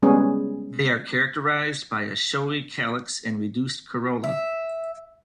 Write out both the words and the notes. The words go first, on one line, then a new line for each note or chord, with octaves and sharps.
They are characterized by a showy calyx and reduced corolla.
G3 G#3 B3 C#4 G#4
E5